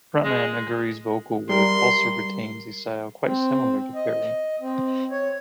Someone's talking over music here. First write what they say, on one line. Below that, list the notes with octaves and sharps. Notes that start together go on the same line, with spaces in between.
Frontman Augeri's vocal work also retains a style quite similar to Perry.
G#3
G3 A#4 C6
C4
D#5
C4
C#5